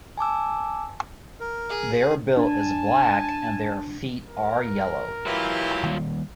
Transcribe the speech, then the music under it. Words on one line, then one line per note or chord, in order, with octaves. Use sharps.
Their bill is black and their feet are yellow.
G#5 A5 D6 E6
A#4
G#4
D4 G#5 A5
A#4
E3 F#3 E4 F4 G4
D#3 G3 A#3